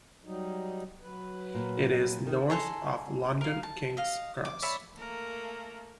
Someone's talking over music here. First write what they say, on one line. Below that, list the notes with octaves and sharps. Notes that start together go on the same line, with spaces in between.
It is north of London King's Cross.
F#3 G3 D#4
F#3 B4
A#2
D#3
G#4 A4 A#5 C6
A#4 F5
A5
D#5 F5
D6
C#5 D5 E5 B5
A3 A#3 A#4